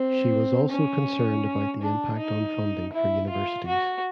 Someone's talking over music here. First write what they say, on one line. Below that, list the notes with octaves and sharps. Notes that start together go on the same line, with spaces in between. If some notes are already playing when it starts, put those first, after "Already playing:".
She was also concerned about the impact on funding for universities.
Already playing: C4
C#4
D4
D#4
E4
F4
F#4